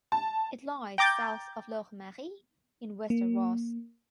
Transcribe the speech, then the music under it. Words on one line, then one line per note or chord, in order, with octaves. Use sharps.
It lies south of Loch Maree in Wester Ross.
A5
G5 A#5 D6 G6 A6
A#3